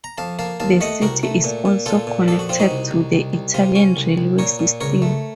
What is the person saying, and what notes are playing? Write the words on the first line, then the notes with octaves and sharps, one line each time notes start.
The city is also connected to the Italian railway system.
A#5
F2 F5 A5
A#3 F5 A5
D#2 F5 A5
A3 D#5 F#5
C2 F#4 A#4
A3
A#2
A#2
A#2 F4 A4
A#2
F2 A4
F#4
C4 F4
D#4 F#4
C2
C2
C2
C2
C3 F4
C#4
C2
C2
A#2 A#4 C#5
A#2
C#2 A#4 C#5
A3